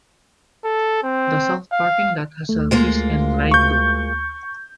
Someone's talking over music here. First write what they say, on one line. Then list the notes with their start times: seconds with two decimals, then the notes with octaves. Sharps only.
The south parking lot has a kiss and ride loop.
0.64 A4
1.03 C4
1.72 F5
2.49 D2 A3
2.71 G#3 A#3 F4
3.51 C#6 G6